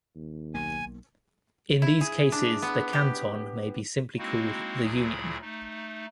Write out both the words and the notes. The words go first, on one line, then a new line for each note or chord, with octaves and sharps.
In these cases, the canton may be called simply the union.
D#2
B1 A#3 G#5
E4
G#4
D4
B3
G4
G#3 A#3 C4 D#4 E4 F#4
D2 A#2 F#3 E4 G#4 B5
A3 D#4